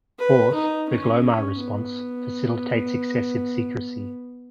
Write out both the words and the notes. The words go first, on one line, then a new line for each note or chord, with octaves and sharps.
Fourth, the Glomar response facilitates excessive secrecy.
B4
D#4
C#4
C#4
B3